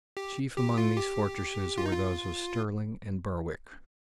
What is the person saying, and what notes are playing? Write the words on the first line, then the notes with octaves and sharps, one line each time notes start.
Chief among these fortresses were those of Stirling and Berwick.
G4
G4
F4
G4
F4
D#4
F4